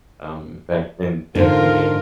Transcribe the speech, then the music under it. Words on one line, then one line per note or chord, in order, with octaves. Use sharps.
Um, back then, definitely.
G#2 D3 D#4 F4 A#4